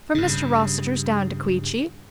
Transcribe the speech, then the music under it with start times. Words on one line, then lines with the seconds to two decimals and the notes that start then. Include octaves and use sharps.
"From Mr. Rossitur's down to Queechy."
0.15 G2 C#3